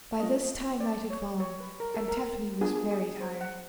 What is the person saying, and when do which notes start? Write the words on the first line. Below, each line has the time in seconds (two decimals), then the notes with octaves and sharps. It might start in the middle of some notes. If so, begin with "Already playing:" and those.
By this time night had fallen, and Tephany was very tired.
0.19 A#3 C#4 F4 D#5
0.80 D5
1.10 C#5
1.40 C#5
1.60 B4
1.80 A#4
1.94 A4
2.08 A#4
2.61 B3 D4 F4 G#4
2.75 G#4
2.91 G#4
3.21 C5
3.41 F#5